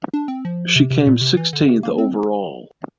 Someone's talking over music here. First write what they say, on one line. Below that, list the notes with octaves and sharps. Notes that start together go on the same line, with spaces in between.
She came sixteenth overall.
D4
C4
F3
C3
C3
A#2
C3
E3
D3
C3
A#3
C4